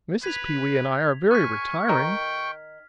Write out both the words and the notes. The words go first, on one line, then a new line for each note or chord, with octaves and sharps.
Mrs. Pewee and I are very retiring.
B4 G#6 B6 F7
G#5 C#6 F6 B6
D#3 G5